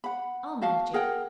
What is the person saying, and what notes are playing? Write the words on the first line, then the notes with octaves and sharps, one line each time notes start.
I'll manage it.
F#5 B5
F#4 F5 A5
G#4 A#4 F#5 G5